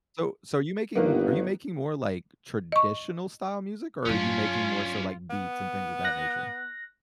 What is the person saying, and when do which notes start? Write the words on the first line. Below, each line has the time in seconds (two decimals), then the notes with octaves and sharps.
So so are you making are you making more, like, traditional-style music, or are you making more so, like, beats and things of that nature?
0.96 G1 D#3 A#3 B3
2.72 D#5 C#6
4.06 G2 F#3 C#4 D4 F4
5.30 B3
6.04 F#6 A#6